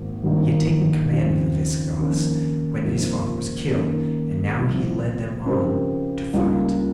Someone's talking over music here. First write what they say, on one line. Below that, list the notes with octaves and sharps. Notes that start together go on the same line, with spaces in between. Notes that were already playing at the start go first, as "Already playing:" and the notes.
He had taken command of the Visigoths when his father was killed, and now he led them on to fight.
Already playing: G#1 G#2 D#3 A#3
G#1 G2 D#3 A#3 D#4
D#2 C#3 F3 C4
F2 D#3 A#3 C#4
C#2 C3 F3 A#3
D#3 A#3 C#4
C2 C3 F3
C#3 F3 C4 G4 A#4
C#2 C#3 G3 A#3 F4